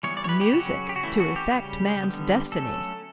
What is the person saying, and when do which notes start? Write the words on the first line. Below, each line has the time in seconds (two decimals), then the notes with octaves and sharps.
Music to effect man's destiny!
0.03 E3 G3 B3 C#5
0.17 D5
0.24 C#5
0.29 B4
0.41 G4
0.53 C#3 F#3 C#4 F#4
0.89 G4
0.96 F#4
1.03 E3 A3 C#4 E4
1.20 F#4
1.36 G4
1.53 C#3 G3 C#4
2.03 D3 G3 B3
2.52 F#3 A3 C#4 A4